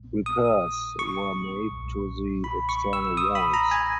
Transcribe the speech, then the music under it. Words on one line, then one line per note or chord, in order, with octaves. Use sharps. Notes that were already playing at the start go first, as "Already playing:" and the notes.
Repairs were made to the external walls.
Already playing: A#1 A#2 G3
D#6
C#6
B1 A#2 G3
B5
C#6
E6
D#6
B5
A#5
G#5